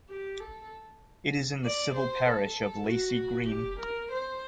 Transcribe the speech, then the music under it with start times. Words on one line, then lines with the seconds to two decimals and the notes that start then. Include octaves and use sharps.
It is in the civil parish of Lacey Green.
0.09 G4
0.40 A4
1.64 D5
1.95 C5
2.26 A4
2.88 F#4
3.49 G4
3.80 A#4
4.12 C5